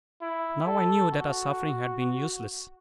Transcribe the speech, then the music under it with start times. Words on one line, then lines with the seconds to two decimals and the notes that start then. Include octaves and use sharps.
Now I knew that our suffering had been useless.
0.22 E4
0.67 A4
1.14 F#4